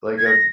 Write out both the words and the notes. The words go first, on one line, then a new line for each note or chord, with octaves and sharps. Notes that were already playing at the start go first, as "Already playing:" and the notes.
like, um
G#6
A#6